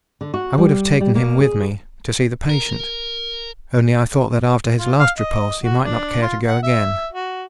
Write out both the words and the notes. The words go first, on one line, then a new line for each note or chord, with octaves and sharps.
I would have taken him with me to see the patient, only I thought that after his last repulse he might not care to go again.
D3
F#4
G3
G3
A#3
G#4
A#4
F4
F5
D#5
F#4
D4
F4
F#5
E5
F#4